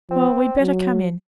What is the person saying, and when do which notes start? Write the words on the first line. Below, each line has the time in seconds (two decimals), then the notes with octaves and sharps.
Well, we'd better come in.
0.10 F3 C4
0.61 F#3